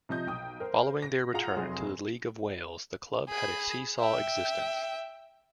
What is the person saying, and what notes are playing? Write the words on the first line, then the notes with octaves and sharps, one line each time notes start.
Following their return to the League of Wales the club had a see-saw existence.
C3 F3 D#5 G6
B1 G5 D#6
A#4 C5
A#6
F4 G#4 F#5 A#5
F1 F#3 G#4 C6
G#4 B5
E5 G5